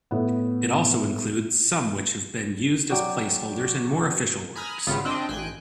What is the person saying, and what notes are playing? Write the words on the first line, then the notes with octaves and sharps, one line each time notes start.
It also includes some which have been used as placeholders in more official works.
A2 B3
F#3 D5 G5
G#5 A#5 B5 D#6 F6
G#1 C#3 G3 B3 F4 C#7
C4 D4 D#5 G5
A1 G5 G#5 F#6